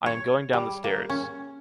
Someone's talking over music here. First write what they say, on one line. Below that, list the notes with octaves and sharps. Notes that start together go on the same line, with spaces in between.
I am going down the stairs.
C#5
G3
A#3
C#4